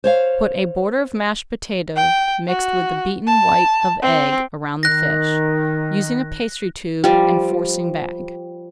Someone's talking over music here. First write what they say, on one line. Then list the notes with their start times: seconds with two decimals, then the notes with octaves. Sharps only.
Put a border of mashed potato mixed with the beaten white of egg around the fish, using a pastry tube and forcing bag.
0.04 C5 C#5 F5
1.96 G5
2.48 F#4
3.27 A5
4.02 C4
4.83 D#3 F#6 A#6
7.04 F3 G3